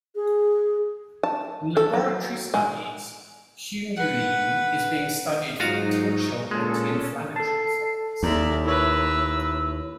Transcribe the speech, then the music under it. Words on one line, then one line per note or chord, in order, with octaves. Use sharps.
In laboratory studies, humulene is being studied for potential anti-inflammatory effects.
G#4
A5
A4
F#3
G#3
B4 F#5
G#2 F#3 D#4 F4 F#4 F5
A#2 G#3 C#4 A4
A4 A5 C7
D#2 D5 E5 A#5
E4 A#4 B4 C#5 E6